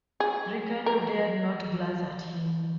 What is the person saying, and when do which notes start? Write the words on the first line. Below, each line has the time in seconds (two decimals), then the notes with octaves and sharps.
Ricardo dared not glance at him.
0.20 G#4
0.86 A#4